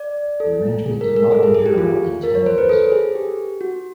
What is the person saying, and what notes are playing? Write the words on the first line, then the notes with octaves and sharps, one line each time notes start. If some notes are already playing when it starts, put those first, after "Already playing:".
The arrangement did not endure more than ten years.
Already playing: D5
A4
G#4
A#4
A#4
A4
G#4
G#4
G4
F4
A#4
C#5
C5
B4
A4
G#4
G4
F#4